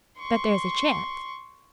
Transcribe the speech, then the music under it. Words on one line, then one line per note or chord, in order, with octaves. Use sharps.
"But there's a chance?"
C6 C#6